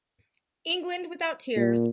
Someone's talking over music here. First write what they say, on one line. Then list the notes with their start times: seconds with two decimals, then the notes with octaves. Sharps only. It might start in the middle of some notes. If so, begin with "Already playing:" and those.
"England Without Tears".
1.56 A#2